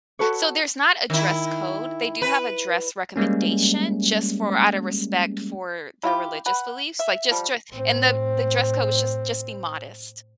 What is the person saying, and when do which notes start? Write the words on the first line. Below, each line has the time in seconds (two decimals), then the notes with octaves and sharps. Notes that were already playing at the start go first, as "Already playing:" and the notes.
So, there's not a dress code, they do have a dress recommendation just for out a respect for their religious beliefs, like, just dre and the the dress code was just just be modest
0.19 F#4 A4 B4 C#5
1.10 D#3 E4
2.22 B4
3.16 G3 G#3 A#3 C#4
6.03 E4 F4 G4
6.46 B4 F#5
6.99 E5
7.31 F3 G3
7.72 A2 C4